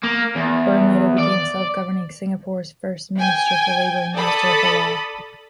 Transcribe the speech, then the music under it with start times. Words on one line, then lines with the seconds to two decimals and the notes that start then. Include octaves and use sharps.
Byrne later became self-governing Singapore's first Minister for Labour and Minister for Law.
0.04 A#3
0.36 E2
1.18 D5
3.18 G5 G#5 G#6
4.15 A4 D5 A5 B5 D#6